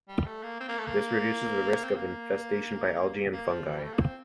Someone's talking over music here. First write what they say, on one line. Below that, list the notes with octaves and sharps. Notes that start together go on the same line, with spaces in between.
This reduces the risk of infestation by algae and fungi.
G3
A3
A#3
C4
A#3
A3
A#3
C4
A#3
A#3
F3
E3
G3
A3
A#3
C4